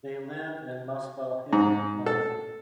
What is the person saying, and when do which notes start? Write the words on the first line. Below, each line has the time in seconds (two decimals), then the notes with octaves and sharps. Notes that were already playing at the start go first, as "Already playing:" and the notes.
They live in Muswell Hill, London.
1.53 G#2
2.06 A4